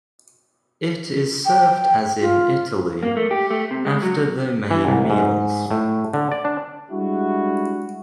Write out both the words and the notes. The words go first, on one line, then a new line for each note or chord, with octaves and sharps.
It is served as in Italy, after the main meals.
G5
F4
A#3
A3
G4
A3
C3
G#3
F#3
E3
C2
G#2
A2
D3
D5
D4
G3 G#3 D4 E4 F#4